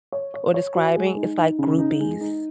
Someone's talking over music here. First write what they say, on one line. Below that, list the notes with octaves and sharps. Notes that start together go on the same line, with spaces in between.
or describing, it's like groupies.
C#5
C#5
C#5
F#4
G#3
D#4
D#4
C#3
D#4
G#3
D#4